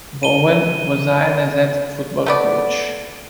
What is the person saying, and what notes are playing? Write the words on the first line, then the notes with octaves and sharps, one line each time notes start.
Vowell was hired as head football coach.
D#7 G7
A3 B3 D5